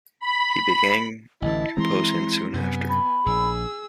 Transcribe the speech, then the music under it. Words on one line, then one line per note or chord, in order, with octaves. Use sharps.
He began composing soon after.
B5
A1 D3 E3 E4 D#5 A5
E3 G#3 C4 E4 A#5 C6
F#2 C3 B3 G#5
B5
A#1 G#4 E6